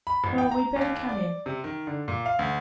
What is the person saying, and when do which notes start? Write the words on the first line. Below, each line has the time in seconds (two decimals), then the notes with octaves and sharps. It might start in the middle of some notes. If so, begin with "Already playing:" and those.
Well, we'd better come in.
0.07 B5
0.24 A1
0.38 G5
0.51 A#5
0.76 D#2
1.09 D5
1.46 C3
1.64 D#3
1.87 D3
2.08 A#2
2.26 F5
2.39 D2